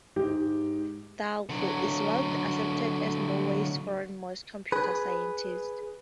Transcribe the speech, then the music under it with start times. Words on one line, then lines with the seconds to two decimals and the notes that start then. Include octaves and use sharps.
Dahl is widely accepted as Norway's foremost computer scientist.
0.16 G#2 G4
1.50 D3 F#3
4.72 G#4 B4